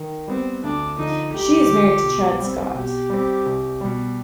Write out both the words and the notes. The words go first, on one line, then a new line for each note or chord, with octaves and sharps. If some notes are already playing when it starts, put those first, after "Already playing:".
She is married to Chad Scott.
Already playing: D#3
G3 B3 C4
D2 D4
D3 F3 D#4
D2 G4
D3 F3
B2
G3 C4
B2 G4
G3 C4
C2
B2 G3